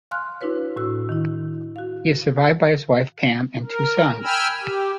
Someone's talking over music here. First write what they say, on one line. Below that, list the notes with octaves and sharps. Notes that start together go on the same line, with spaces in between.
He is survived by his wife, Pam, and two sons.
F5 G#5 C6 F6 F#6
D4 E4 F#4 B4 C#5
A2 F#4 E6
D#3 E4
F#4 F5
A#4
G5 G#5 B5 E6 F6
G4